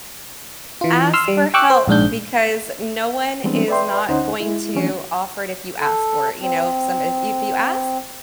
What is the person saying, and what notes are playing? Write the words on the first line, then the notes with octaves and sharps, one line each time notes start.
Ask for help because no one is not going to offer it if you ask for it, you know, some if you ask,
E3 F4
C6 E6 F6
G3
G5 C#6 D6 E6 F#6
C5
A#1 G#2 D4 G6
E3 G3 G#3 B3 C4 D4
B4 D5 E5 G5 C6
D2 C#4 D#4 C5 F#5
G#3 E4
E3 F3 A3 C#4 D4
A4
C4